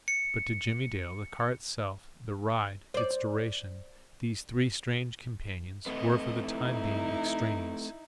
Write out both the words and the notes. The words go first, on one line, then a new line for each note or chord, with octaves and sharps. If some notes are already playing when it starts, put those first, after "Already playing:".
But to Jimmie Dale, the car itself, the ride, its duration, these three strange companions, were for the time being extraneous.
C#7
C5 D5
A3 C4 B4 D#5
D#4 E4